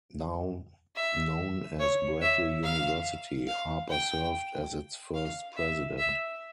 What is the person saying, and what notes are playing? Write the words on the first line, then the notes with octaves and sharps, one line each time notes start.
Now known as Bradley University, Harper served as its first president.
E5
C#5
E5
F5
F5
G5
F5
E5
E5